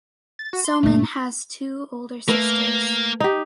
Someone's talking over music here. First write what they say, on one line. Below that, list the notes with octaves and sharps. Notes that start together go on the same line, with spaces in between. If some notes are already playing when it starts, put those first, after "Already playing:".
Somin has two older sisters.
A6
F#4
C6
G2 A#2 A3
A3 A#3 B4
D#4 G4